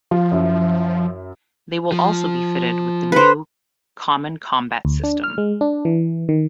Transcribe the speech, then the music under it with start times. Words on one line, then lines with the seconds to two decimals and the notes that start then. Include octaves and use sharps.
They will also be fitted with the new Common Combat System.
0.11 F3 F4
0.32 F#2 E4
1.92 F3
3.12 B4 C5
4.85 D2
5.04 D4
5.24 F6
5.38 G#3
5.61 D4
5.85 E3
6.29 D#3